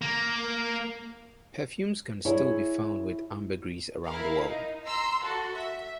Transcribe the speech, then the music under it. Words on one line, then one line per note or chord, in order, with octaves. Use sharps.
Perfumes can still be found with ambergris around the world.
A#3
E4 G#4 C#5
E4 A#4 F5
D#4
A#5 C6 E6
F#4 A4
E5